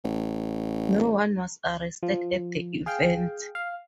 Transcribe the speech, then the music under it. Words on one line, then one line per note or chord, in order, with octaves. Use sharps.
No one was arrested at the event.
A1
F3
G#4 F5 G5
F5